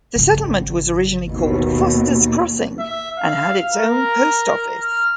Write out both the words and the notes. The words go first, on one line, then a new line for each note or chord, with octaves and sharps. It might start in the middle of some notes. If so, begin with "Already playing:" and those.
The settlement was originally called "Foster's Crossing", and had its own post office.
G#1 C#3
D#2 B2
E5
F5
A#4
F6